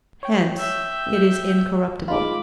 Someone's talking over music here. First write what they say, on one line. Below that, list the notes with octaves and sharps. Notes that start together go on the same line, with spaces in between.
Hence it is incorruptible.
C#5 G5
E5 G6
G#3 D#4 F4 B5 D6